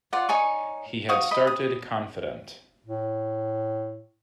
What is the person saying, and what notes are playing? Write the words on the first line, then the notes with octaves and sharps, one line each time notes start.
He had started confident.
F4 D5 F#5
D#4 C#5 G#5 C#6
F#4 F5 C#6 D#6
D#5 B5
D#6
A2